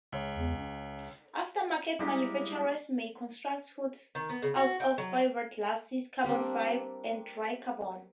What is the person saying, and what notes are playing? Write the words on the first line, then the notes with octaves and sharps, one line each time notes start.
Aftermarket manufacturers may construct hoods out of fiberglass, carbon fiber, or dry carbon.
C#2 C#5
E2
C#4
G3 G#3 A#3 E4 G4
D#3
B3
C#3
F#4
G5
F#3
G3 A#3 C4 D4